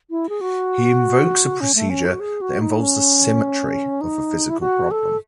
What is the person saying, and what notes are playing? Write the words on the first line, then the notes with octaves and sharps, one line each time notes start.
He invokes a procedure that involves the "symmetry" of the physical problem.
E4
G#4
F#4
C#4
A3
C#4
F#4
G#4
F#4
D#4
C#4
D#4
E4
F#4
A4